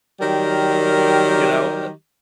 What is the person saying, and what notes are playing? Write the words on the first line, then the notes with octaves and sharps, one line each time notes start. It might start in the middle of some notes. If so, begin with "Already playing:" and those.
you know, uh
D#3 F#3 G3 G4 A#4